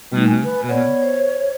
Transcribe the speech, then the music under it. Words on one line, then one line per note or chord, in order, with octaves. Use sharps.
Mhm, mhm.
G3 A3 D#4
G#5
B4
B3 C#5 D5 F#5
C5